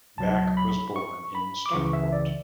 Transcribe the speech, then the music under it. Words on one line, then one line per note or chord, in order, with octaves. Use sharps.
Back was born in Stockport.
C#2 B2 F#3 A5
B5
C#6
B5
D6
C#2 C#3 E3 C#6
E5
D5